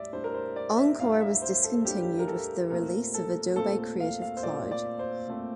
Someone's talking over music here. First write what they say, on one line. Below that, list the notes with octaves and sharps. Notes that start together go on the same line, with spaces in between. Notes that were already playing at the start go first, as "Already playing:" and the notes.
Encore was discontinued with the release of Adobe Creative Cloud.
Already playing: A2 G3 D5 E5
A2 G3 D4 C5
A#4
C5
D5
E5
A2 G3 D4 F5
E5
C5
A4
A2 G3 D4 G4
G4
A#4
A4
A#2 A3 C4 A#4
A4
A#2 A3 C4 A4
A4
F5
F5
C5
A#2 A3 C4 D5
D5
C5
A#2 A3 C4